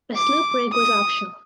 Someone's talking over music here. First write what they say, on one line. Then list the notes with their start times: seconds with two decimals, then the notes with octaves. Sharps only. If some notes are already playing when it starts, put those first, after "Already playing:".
A sloop rig was optional.
0.16 D6
0.73 D#6